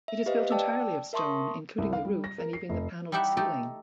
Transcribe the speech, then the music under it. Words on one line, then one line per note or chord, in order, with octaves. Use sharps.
It is built entirely of stone, including the roof and even the panelled ceiling.
E5
G4 B4 C5 D#5 F5
D5 G5 A5 D6 E6
A#4 E5 A5 C6 C#6 D#6
C2
F5
G3
A#6
A#4
C7
F1
G3 D#4 E4 G4 E5 F#5
A3 D#4 G4 A4